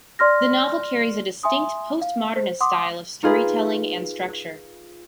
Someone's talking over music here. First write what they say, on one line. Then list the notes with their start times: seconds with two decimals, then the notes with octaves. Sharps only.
The novel carries a distinct post-modernist style of storytelling and structure.
0.19 D5 C6 F6 A#6
1.43 E5 G#5 C6 D#6
2.02 F5
2.36 C5
2.61 F#5 C6 D6 D#6
3.23 D#4 F4 G#4 B4